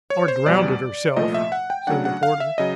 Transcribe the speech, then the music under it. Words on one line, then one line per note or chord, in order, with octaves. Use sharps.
"Or drownded herself," said the porter.
C#5
C5
E2 B2 G3 D5
C2 A#2 F3 A3 D#5
E5
F#5
G5
C#3 F#3 A3 D4 F#5
F#5
F5
E5
C#3 F#3 D#5